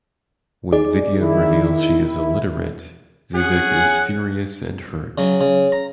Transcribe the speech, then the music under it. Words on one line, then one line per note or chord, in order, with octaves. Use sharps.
When Vidya reveals she is illiterate Vivek is furious and hurt.
D#4 G#4 D5
D#3 E4
C#4 G#4 F#5
C#3 F#3
C#3
A#5